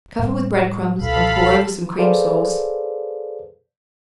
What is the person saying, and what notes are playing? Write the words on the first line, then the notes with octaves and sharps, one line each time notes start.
Cover with bread-crumbs and pour over some cream sauce.
A2 G3
C#2 B2 A4 F5 B5
G#4 A4 B4 C5 D5 F5